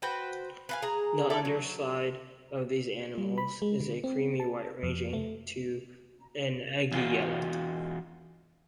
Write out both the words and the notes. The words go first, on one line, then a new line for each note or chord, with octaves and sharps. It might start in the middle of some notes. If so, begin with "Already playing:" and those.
The underside of these animals is a creamy white ranging to an eggy yellow.
F#4 B4 C5 G5
B4 F5 G#5
G#4 A#5
E4 A4 D5
F#3
G3
B5
G#3
D3
C4
A5
F2
A3
E2 F4 F#4